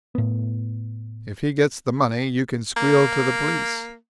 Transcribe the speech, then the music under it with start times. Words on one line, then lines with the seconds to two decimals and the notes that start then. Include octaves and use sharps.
If he gets the money you can squeal to the police.
0.15 A2 B3
2.76 A#3